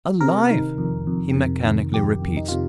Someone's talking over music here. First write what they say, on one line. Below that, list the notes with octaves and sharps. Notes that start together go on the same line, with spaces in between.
"Alive!" he mechanically repeats.
C3 A#4
D#3
F2
F2
C3
D#3
F2 G4
F2
D#4
C3 F4